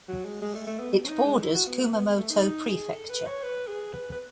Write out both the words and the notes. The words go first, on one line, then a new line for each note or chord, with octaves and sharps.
It borders Kumamoto Prefecture.
F#3
G#3
G#3
A3
A3
B3
C#4
D#4
G#3
E4
F#4
B3
A3
B3
G#3
A3
D#4
D#4
G#4
A4
B4
C#5
B4
G#4
B4
B4